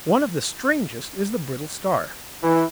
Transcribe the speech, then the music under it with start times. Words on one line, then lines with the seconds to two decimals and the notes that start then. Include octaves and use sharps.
One of the strangest is the Brittle Star.
2.44 E3